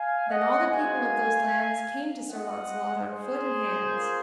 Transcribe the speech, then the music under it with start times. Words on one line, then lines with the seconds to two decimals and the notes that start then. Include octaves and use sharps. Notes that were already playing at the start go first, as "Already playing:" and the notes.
Then all the people of those lands came to Sir Launcelot on foot and hands.
Already playing: F5 G#5
0.29 D#5 F#5
0.69 G#3 C4 D#4 F#4 F5 G#5
2.29 C4 F4 D#5 F#5
3.08 G#4 C5
3.88 A#3 C#4 F4